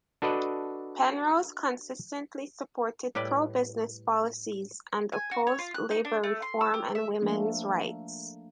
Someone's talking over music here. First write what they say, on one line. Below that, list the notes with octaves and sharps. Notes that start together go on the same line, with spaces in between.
Penrose consistently supported "pro-business" policies, and opposed labor reform and women's rights.
D4 F#4 A4 B4 D5 D#5
A2 G3 B4 D5
G#5
F#4
C#5
F4
F#6
D#4
D4
A3
C6
E6
G4
E5
F3 A3 A#3 D4